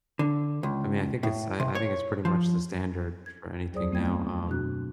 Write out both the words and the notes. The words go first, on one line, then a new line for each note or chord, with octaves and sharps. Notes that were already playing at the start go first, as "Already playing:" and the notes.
I mean, I think it's I I think it's pretty much the standard for anything now, um,
D3
C#2
A2
C3
C#5
F3
G#6
D#2 F#3 G#4 C5 D5 D#6
A3 B3 C4 E4 G5 G#6
F#2 B2 D4 F#4 F#6